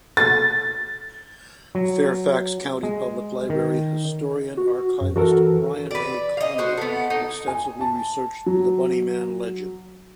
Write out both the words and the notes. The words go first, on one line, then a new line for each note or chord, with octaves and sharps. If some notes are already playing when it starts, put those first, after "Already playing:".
Fairfax County Public Library Historian-Archivist Brian A. Conley extensively researched the Bunny Man legend.
A6
F#3
G#3
D#3
F#4
F#2
E3 F#4 A4 A#4
B4 D5
D#5 F5
F#4 C5
A3 B3
D#4
G#5
A5
F#3